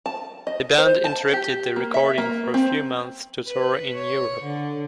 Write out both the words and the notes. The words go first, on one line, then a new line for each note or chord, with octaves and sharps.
The band interrupted the recording for a few months to tour in Europe.
A5
D#5
C5
A5
G4
A#3
E5
A#3
C4
B4
C#5
D3